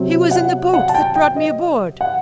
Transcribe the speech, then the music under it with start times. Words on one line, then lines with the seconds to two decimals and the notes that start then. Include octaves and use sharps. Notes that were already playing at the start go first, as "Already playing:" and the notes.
"He was in the boat that brought me aboard."
Already playing: C3 F#3 C4
0.31 F#5
0.74 F#5
0.89 A5
0.95 G5
1.16 G5
1.36 D#5
2.01 F#5